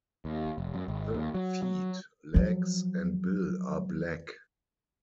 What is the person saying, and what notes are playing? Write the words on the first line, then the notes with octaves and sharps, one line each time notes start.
The feet, legs and bill are black.
D#2
F1
F#2
G#1
D#2
F#3
F#3
F3 F#3